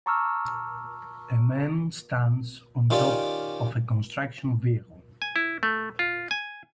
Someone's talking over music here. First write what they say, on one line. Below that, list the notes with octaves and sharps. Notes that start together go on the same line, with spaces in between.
A man stands on top of a construction vehicle.
A5 A#5 C#6 D6 E6 F6
D#3 C#4 F4 G4 D5
G#5
E4
A3
F4
G#5